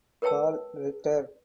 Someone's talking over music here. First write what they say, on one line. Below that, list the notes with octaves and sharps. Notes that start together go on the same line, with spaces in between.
Carl Ritter.
A#4 B4 C#5 G5 A5 E6